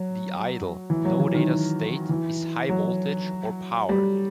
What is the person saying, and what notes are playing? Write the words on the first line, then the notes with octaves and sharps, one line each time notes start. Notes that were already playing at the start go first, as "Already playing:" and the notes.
The idle, no data state is high-voltage, or powered.
Already playing: F#3
E3
F#3
E3
D#3
E3
F#3
G3